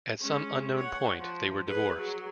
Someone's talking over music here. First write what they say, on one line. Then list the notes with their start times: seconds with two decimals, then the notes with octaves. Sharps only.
At some unknown point, they were divorced.
0.21 G#3 C#4
0.78 C#5 F#5
1.19 F3
1.67 G#4 B4
1.98 F#3 G#4